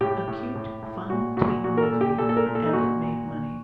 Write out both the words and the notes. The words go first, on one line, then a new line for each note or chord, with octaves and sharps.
A cute, fun teen movie, and it made money.
A2 G4
A2
A2
A2
A#2 F#4
A#2 F#4
A#2 F#4
A#4
A4
A#2
G4
A#2 A4
A4
A#4
A#2
A4
D#4
A#2 F#4
A#2
A#2